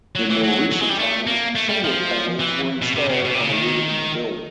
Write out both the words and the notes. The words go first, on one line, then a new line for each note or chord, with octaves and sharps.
In more recent times solar panels were installed on the roof of the building.
F#3
E3
F#3
F#3
G#3
G3
A3
A#3
A3
G3
F3
E3
B2
C3
C#3
B2
C3
C#3
D#3